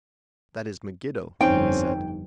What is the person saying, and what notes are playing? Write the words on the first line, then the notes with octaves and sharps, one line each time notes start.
"That is Megiddo," he said.
G1 F2 C4 C#4 D#4 G5